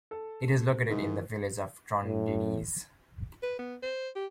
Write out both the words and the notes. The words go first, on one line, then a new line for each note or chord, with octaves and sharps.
It is located in the village of Trondenes.
A4
G#2 D#3 E3
A2
B4
B3
C5
G4